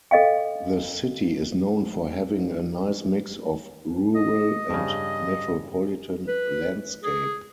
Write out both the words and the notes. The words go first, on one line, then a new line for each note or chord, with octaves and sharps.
The city is known for having a nice mix of rural and metropolitan landscape.
A4 D#5 F5 G5
D#5
G2 C#3
B4
G#4